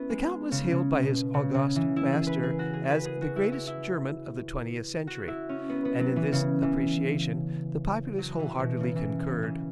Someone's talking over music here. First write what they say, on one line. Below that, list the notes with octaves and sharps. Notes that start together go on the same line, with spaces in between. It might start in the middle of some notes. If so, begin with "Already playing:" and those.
The Count was hailed by his august master as "The greatest German of the twentieth century," and in this appreciation the populace wholeheartedly concurred.
Already playing: B3 C#4 E4
G#3
C#3
C#3
B2
C#3
C#3
E3
E4
G#4
B4
G#4
F#4
G#4
B4
G#4
F#4
E4
E4
E4
F#4
E4
C#4
B3
B3
F#3
E3
C#3
E3
F#3
E3
B2
C#3
E3
C#3
E3